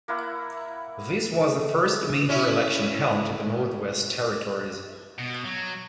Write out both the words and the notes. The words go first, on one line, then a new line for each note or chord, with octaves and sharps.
This was the first major election held in the Northwest Territories.
A#3 E4 F#5
G#4
A4
F4
G#4
G#4
C#4 E4
B2
F#3